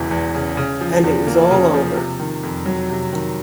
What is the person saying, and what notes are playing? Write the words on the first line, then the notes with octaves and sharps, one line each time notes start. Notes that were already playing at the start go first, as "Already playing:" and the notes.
And it was all over.
Already playing: E1 E2 C#3 E3
E2
C#3
C#3
F3
E2
A#3
C#3
F3
C3
D#3
F2
F#3
C3
D#3